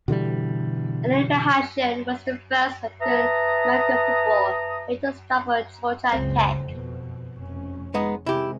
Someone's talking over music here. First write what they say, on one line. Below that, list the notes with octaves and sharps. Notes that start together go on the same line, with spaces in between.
Eddie McAshan was the first African American football player to start for Georgia Tech.
B2 D3 E3 G3
B4 E5 A5 A#5 D#6
F#1 C#2 C#3 C4
F2 B2
F1 C#4
G#3 B3 D#4
C3 D#3 G#3 E4 G4